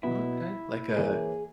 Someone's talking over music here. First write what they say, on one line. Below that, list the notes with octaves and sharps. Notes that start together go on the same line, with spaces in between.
Okay, like a
B2 F#3 B3 E4
E3 A#3 E4 G#4 A#4 C#5